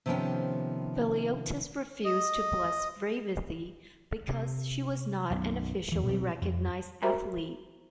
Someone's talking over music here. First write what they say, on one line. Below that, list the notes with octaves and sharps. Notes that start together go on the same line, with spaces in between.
Veliotis refused to bless Revithi because she was not an officially recognized athlete.
C3 D#3 F3 B3 C#4 G5
D#5
C3
B1 F#2
E2 E3
D2 B2 F#3 C4
F2
F#4 A#4 C5 E5 A#5